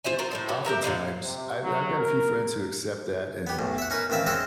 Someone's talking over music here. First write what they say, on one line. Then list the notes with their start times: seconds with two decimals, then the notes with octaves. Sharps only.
o o oftentimes, I've I've got a few friends who accept that and
0.04 F4 C5 E5 G#5
0.19 F4 F#4 A#4 C5
0.31 A2 A3 C5
0.49 F#3 B3
0.65 G4 G#4 A#4 E5
0.82 A#2 D3 D#4 F5
1.22 C3
1.62 F#3
1.97 A#4
3.47 B3 G4
3.59 B1 A2
3.78 E5 F#5
3.90 C#4 D#4 A#4 B4
4.10 A1 D#3 C4 E5 F5
4.26 G#3 C4 C#4 D#5 E5 F#5